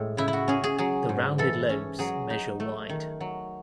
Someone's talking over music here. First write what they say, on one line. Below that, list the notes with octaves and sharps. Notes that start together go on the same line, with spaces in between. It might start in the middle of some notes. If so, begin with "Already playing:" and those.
The rounded lobes measure wide.
Already playing: A2 G#3
C#3 E4
E4
F#4
C#4 G#4
G#4
F#3 G#4
G#2
E3 A4
C#4
F#3 G#4
D#4
A3
D#3
F#3